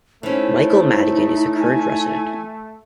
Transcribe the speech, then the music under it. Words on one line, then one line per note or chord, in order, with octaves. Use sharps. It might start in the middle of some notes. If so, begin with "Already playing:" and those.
Michael Madigan is a Current resident.
E3 A3 C#4 D#4 C5
G#5